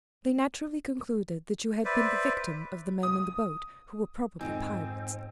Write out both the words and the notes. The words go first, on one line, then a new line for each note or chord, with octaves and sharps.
They naturally concluded that you had been the victim of the men in the boat, who were probably pirates.
B4 C5 D5 E5
D#6
F2 G#2 D#3 G#3 C4 D4 D#4 G#5